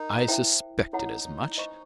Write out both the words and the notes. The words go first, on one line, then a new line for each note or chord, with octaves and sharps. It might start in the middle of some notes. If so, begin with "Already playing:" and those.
I suspected as much.
Already playing: D#4 A#4
E4 A4 C5 E5 G5
D#4 E4 A4 C#5 F#5 A#5
C5 D#5 G#5 C#6